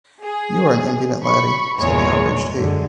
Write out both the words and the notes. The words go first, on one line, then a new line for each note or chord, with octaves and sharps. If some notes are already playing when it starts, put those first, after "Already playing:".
"You're an impudent laddie," said the outraged Haight.
G#4
B5 C#6
G1 E2 A#2 G#3 C#5
F#2 D3 G#3